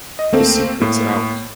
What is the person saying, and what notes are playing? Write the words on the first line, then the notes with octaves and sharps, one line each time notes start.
The secret's out.
D#5
D2 A3 A#3 C4 A4
A2 A#3